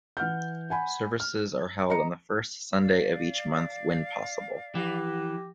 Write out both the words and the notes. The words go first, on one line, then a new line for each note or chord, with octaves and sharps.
Services are held on the first Sunday of each month when possible.
E3 F#5 F6 G6
F#5 G#5 B5
F6
D#5 A#5 C#7
D5 F5
E3 F3 G4 A#6